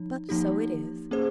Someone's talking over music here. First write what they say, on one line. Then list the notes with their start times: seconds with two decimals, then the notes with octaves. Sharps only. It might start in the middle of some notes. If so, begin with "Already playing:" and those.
But so it is.
Already playing: F3 D#4
0.29 F3 A#3 D#4 G4
1.11 A#3 C#4 G#4 C5